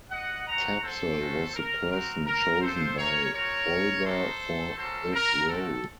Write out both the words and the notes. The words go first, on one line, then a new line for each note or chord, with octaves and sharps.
Tapsell was the person chosen by Bolger for this role.
D#5 F#5
C4 F#4 F#5 A#5
A4 C5
A3 C#4 F#4
A#4
C4 F#4 A#4
A#4
C4 F4 A4 C5
A#4 C#5
C4 F#4 A#4 C#5
A#3 D#4 F#4 A4 C5
A#3 C#4 F#4 A4 C5
A#4
A3 C4 F#4 A4